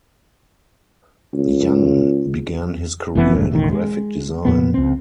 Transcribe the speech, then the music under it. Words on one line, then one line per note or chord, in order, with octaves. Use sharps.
Young began his career in graphic design.
C#2
F1 F2 E3 B3
E1 D2 G2
E1 A1 D#3
G#3
F2 A#2 B3
C#2 C4